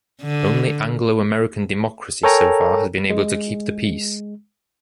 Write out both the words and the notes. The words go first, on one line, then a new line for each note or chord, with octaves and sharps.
Only Anglo-American democracy, so far, has been able to keep the peace.
D3
A4 A#4 C#5 G5 G#5 A#5
G#3